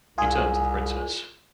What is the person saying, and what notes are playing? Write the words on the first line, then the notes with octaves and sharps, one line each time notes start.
He turned to the Princess.
C2 F4 G#4